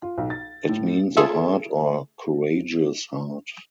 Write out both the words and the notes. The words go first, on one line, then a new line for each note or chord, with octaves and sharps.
It means a heart or courageous heart.
F4
B1
A6
A2
F4 G#4 A4 E5